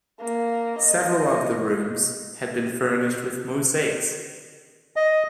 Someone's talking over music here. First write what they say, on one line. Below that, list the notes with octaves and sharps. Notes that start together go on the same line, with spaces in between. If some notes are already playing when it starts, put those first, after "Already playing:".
Several of the rooms had been furnished with mosaics.
A#3
D#5
D#5